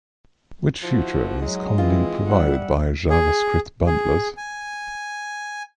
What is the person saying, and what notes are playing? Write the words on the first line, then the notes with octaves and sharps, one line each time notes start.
Which feature is commonly provided by JavaScript bundlers?
F3 E4 F#4
F#3 G#3
E3 C4 E4 F4
G3 E5 F#5
G#4
G#4
G#5